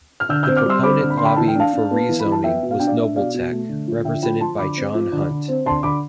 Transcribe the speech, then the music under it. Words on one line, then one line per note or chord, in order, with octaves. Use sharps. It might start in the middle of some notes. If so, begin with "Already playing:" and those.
The proponent lobbying for rezoning was Nobletech, represented by John Hunt.
F6
D3 E6 G6
C4 E6 G6
D6 F6
G3 C6 E6
C4 B5 D6
D3
B5
D3 C6
G5 B5
E3 A5
G5
D4 F5 A5
D4
B3
E3
B5
E3
A5
B3 E5 G5
B2
F5
D4 G5
D5 F5
D4 E5
B2 D5 F5
B2
A3
D3
F3
D3 E5 G5
F3 G5 B5
F3 A5 C6
D3 B5 D6
C4
F3
D3
D3
C4
D3 A5 C6
D3 B5 D6